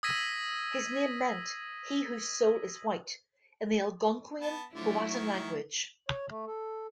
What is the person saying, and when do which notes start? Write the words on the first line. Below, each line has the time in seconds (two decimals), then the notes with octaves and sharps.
His name meant "He whose Soul is White" in the Algonquian Powhatan language.
0.03 D#6 E6 G#6 A#6 B6 D#7
4.41 B3 A5
4.74 D3 F3 F#3 A3 E4
5.08 D#3 C#5
6.09 C#5
6.29 A3
6.47 A4